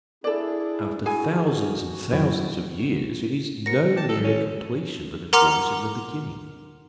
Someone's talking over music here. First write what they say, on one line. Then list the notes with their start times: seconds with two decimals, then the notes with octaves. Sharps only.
After thousands and thousands of years, it is no nearer completion than it was in the beginning.
0.24 D4 E4 G#4 A4 D5
1.05 E4 F#4 G#4 G#5
2.12 F#2 E4
3.66 F#4 A#4 C5 A#6 C#7
3.96 D#3 G4 A5
4.09 A1 A4
4.24 C#4
5.33 A#4 F#5 A#5 C6 D6 F6